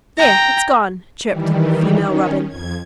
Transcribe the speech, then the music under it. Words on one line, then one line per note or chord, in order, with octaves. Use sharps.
"There, it's gone!" chirped the female robin.
G5 A#5
D#3 E3 G3
D#3 C#4
F2 G#6